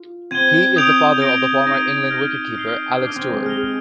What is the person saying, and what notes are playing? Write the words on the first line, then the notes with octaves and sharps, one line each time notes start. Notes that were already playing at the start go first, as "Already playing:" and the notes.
He is the father of the former England wicket-keeper, Alec Stewart.
Already playing: F4
C4 G#6 D#7 G7
D#6 G6 D7 F7
G6 A#6 D7 G7
D#4 D#6 A#6 D#7 G7
F6 A#6 F7
F6 C7 G7
D4 F6 C7 D#7 G7
C4
G#3
G#3 F6 A#6 F7